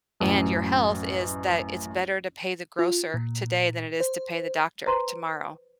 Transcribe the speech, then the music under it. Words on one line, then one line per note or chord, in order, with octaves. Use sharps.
and your health is that, "It's better to pay the grocer today than it is to pay the doctor tomorrow."
A1 F#2
F4
A#2
C5
B4 C5 A#5 C6